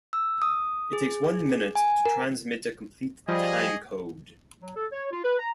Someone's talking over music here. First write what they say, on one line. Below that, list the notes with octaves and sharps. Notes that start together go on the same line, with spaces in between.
It takes one minute to transmit a complete time code.
E6
D#6
G#4
G#5
A#4
F3 G3 G#4 D#5
F#3
A4
C#5
F4
B4
A#5